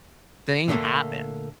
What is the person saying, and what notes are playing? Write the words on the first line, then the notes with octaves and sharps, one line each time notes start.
thing happen.
A#2 D3 F#3 A3 A#3